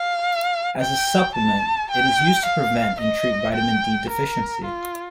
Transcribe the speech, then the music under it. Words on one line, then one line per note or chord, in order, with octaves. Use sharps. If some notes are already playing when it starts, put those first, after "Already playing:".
As a supplement it is used to prevent and treat vitamin D deficiency.
Already playing: F5
G5
A5
G5
F5
D#5
G5
A#4
F4